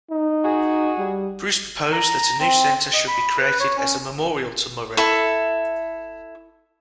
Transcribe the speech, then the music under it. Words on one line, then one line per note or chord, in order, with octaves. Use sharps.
Bruce proposed that a new centre should be created as a memorial to Murray.
D#4
F#4 G#4
G3
A#5
C4
D#5
B5
B4
C#5
C#4
E4 A4